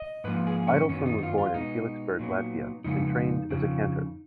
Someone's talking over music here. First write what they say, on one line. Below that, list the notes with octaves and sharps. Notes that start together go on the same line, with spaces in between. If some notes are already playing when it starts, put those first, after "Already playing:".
Idelsohn was born in Feliksberg, Latvia and trained as a cantor.
Already playing: D#5
G#2 F3 A#3 B4
G#4
C#4
F#2 D#3 F#3 B3 C#4
D#4
D#4
F4
F4
B2 G#3 B3 D#4
A#2 F#3 B3
F2 C#3 G#3 B3 D#4
F2 C#3 F3